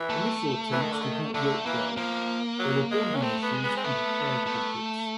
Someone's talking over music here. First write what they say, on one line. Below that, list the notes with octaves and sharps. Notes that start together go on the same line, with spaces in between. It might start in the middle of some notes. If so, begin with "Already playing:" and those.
Initial attempts did not work well: there were bonding issues and air pockets.
Already playing: E3
A3
E3
D#3
D3
D#3
D3 A3
E3 A#3
F3 A#3
F#3
G#3
C#4
A3 C4
B3
G#3
B3
C4
A3 B3
A3